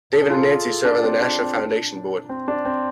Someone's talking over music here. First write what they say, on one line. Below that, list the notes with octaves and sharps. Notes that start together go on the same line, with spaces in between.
David and Nancy serve on the Nasher Foundation Board.
A4
G#4
F4 A4
D4
C4
D4
C4
D4
C4
D4
C4